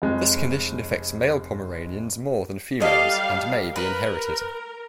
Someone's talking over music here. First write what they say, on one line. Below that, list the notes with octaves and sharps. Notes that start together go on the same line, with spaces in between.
This condition affects male Pomeranians more than females, and may be inherited.
F1 G#3
G3 A4 D#5 F5
A#4 B4